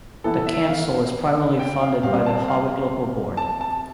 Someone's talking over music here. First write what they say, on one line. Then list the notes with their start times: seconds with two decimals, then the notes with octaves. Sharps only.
The council is primarily funded by the Howick Local Board.
0.24 E3 B3 E4 A4
0.47 E5
0.69 F5
1.59 G5
1.81 F5
2.03 C3 G3 C4 G4 C5 F5
2.26 A5
2.48 F5
3.37 A5
3.61 A5